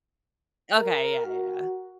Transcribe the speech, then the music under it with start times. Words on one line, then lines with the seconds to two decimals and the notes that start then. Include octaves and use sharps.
Okay, yeah, yeah.
0.78 A#4
1.26 F#4